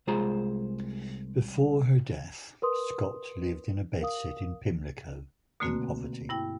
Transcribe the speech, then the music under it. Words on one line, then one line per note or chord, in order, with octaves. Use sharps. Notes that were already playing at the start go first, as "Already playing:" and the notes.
Before her death, Scott lived in a bedsit in Pimlico in poverty.
C2 G#3 F4 G#4 C5 A#5
A#4 B4 C6 D#6
A#4 F5 D#6
B2 D3 A3 A#3 C4 F#4
G2 E4 G5